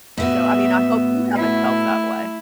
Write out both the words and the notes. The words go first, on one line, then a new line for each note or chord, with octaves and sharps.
So, I mean, I hope you haven't felt that way.
A2 B3 F#4 E5
A3 E4